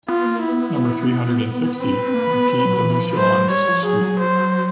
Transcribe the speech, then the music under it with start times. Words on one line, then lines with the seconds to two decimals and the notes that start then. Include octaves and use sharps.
Number three hundred and sixty, Maquis de Lucelans street.
0.08 B3 F4
0.26 A#3
0.43 B3 E4
1.80 C4 B4
1.97 C4
2.14 A#3
2.31 B3
2.49 C4
2.65 F#3
2.83 E3
3.00 F3
3.17 F#3 C5
3.34 F#3
3.51 G3 C#5
3.68 F3
3.85 F#3 G#4
4.20 C5